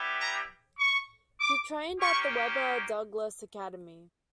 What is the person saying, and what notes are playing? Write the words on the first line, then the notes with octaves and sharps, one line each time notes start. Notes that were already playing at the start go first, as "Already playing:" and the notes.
She trained at the Webber Douglas Academy.
Already playing: G3 B3 E4 G4
A#5
C#6
D6
A#3 C#4 G4 C#6